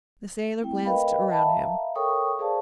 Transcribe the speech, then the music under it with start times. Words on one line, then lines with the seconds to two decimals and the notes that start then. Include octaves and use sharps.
The sailor glanced around him.
0.60 A3 C4 E4 G5
0.85 A#4 B4 D#5 F5 G5 B5
1.28 D#5 E5 F#5 G5 A5 B5
1.45 E5 F5 A#5
1.95 A4 A#4 C#5 G5 C#6 D#6
2.39 G#4 A#4 C5 D5 F5 A5